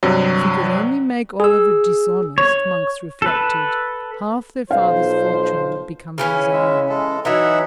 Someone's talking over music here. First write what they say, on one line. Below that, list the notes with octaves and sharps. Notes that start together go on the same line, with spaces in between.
If he could only make Oliver dishonest, Monks reflected, half their father's fortune would become his own.
G2 C3 F#3
G#4 E6
C#5
A4 B4
B1 F3 C5 F5
C#3 E3 C#4
G#3 E5
G#3 A4
E3 F#3 D#4 E5 F#5